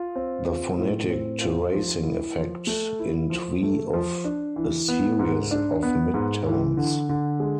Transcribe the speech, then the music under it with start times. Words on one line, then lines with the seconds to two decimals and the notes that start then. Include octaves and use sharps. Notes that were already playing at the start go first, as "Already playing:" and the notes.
The phonetic terracing effect in Twi of a series of mid tones.
Already playing: F4
0.15 C4
0.47 F4
0.78 A2
1.10 C4
1.41 F4
1.73 F3
2.05 E4
2.36 F3
2.67 A3
2.99 E4
3.30 F3
3.63 A3
3.93 F3
4.24 D4
4.56 E3
4.88 B3
5.19 G#2
5.51 D4
5.83 B3
6.14 G#2
6.46 E3
6.77 D3
7.09 D3
7.40 G#3